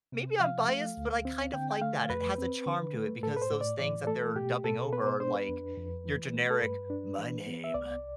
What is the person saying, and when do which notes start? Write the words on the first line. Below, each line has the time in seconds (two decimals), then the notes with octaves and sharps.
maybe I'm biased, but I kind of like that. It has a charm to it because those things that they're dubbing over are like your generic, "My name
0.12 C3
0.40 F3 F5
0.69 A3
0.97 D2
1.25 C4
1.53 D3 G5
1.71 G5
1.82 A3 F5
2.10 F2 B4
2.38 C4
2.67 D3
2.94 A3
3.23 A2 A4
3.36 B4
3.42 C5
3.51 A2
3.61 D5
3.79 E3 D5
4.07 A3 A4
4.36 B2 G4
4.64 B2 A4
4.93 B3 B4
5.06 C5
5.20 D4 C5
5.35 B4
5.49 F2
5.77 F2
6.05 E3
6.34 A3
6.51 A4
6.61 G2 B4
6.90 D4
7.18 E3
7.46 B3
7.64 E5
7.74 C2 D5